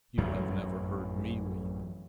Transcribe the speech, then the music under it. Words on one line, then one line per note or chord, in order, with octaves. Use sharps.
You have never heard me weep.
A1 F#2 A2 F#3